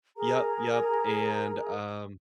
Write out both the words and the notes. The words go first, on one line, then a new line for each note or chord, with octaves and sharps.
Yep. Yep. And, um
G#4 A#4 A#5